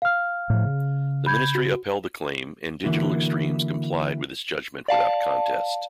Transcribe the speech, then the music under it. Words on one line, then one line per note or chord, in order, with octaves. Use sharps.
The Ministry upheld the claim and Digital Extremes complied with its judgment without contest.
F5 F6
A2 F3
C#3
B5 G6 G#6
F#4
D3 E3 A#3 E4 F#4
D5 F5 A5